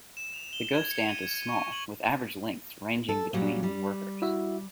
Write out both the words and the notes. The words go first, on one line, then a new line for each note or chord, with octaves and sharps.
The ghost ant is small, with average lengths ranging between in workers.
E7
F7
G7
G#6
C#7
D#7
G#6
C#6
F#7
A4
A#2 F#3 G3
G3
E4 F#4 E5